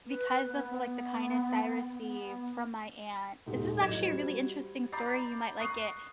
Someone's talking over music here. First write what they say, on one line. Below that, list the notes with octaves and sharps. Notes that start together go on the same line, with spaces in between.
because of, like, the kindness I receive from my aunt this is, actually, a really interesting story, you might like it.
B4
B3
B3
D#1 G#2 G4
A1 F#3 D#5 G#6 E7
G3 F#4 C5
A#5 B5 D6 G6 A6 C7
C#6 D#6 F#6 C7